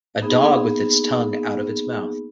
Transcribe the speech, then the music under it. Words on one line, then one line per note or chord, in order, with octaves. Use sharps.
A dog with its tongue out of its mouth.
A#3 B3 D#4 G#4